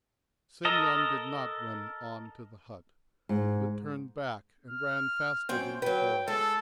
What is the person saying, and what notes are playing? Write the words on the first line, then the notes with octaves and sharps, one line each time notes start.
Semyon did not run on to the hut, but turned back and ran faster than before.
A4 A#4 D#5
G#2
F6
F#2 C4 G5
F#3 B4 G5
G#3 A4